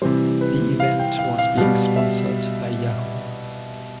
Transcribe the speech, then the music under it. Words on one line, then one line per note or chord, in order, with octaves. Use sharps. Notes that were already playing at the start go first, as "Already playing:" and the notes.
The event was being sponsored by Yahoo!
C3 E3 G3 C5
B4
F5
G5
F5
F5
B2 G3 F5
E5